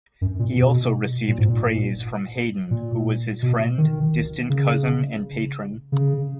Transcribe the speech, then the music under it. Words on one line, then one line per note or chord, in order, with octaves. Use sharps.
He also received praise from Haydn who was his friend, distant cousin and patron.
F#2
A#2
B2
A#2
G#2
A#2
A#2
B2
D#3
C#3
C#3